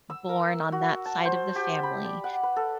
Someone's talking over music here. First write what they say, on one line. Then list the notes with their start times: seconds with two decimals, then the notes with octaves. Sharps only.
born on that side of the family,
0.10 E6
0.29 A#4
0.72 F#4
1.06 A5
1.25 C5
1.56 G4
1.83 B5
2.05 D5
2.24 F#5
2.43 B4
2.56 A4